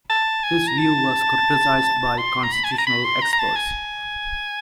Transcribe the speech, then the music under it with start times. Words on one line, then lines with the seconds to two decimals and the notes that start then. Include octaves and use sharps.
This view was criticized by constitutional experts.
0.10 A5
0.43 G#5
0.67 A#5
0.78 A5
2.18 C6
2.43 A#5
2.53 B5
2.64 G#5
2.72 A5
2.78 A#5
2.87 B5
3.04 C6
3.22 A#5
3.33 A#5
3.39 A5
3.56 G#5